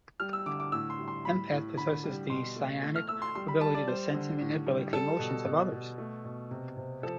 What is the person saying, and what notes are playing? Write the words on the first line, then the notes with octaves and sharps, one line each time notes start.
Empath possesses the psionic ability to sense and manipulate the emotions of others.
G3 F6
E6
D3 D6
D6
A2 E6
C6
G3
C6
A2 B5
A2
D3 B5
G3
B2 C6
A3
A3
F6
A3 E6
C6
G3 C6
B5
G3 A5
D5
G3 C5
D3
A2
G3
G3 A4
B2
B2
B2
A3
B2
C3
C3
F3 A4